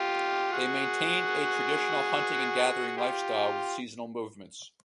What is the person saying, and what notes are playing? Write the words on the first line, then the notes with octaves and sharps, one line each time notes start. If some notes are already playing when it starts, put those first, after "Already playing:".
They maintained a traditional hunting and gathering lifestyle with seasonal movements.
Already playing: F4 G4
F#4 G#4
F#4
F4 G4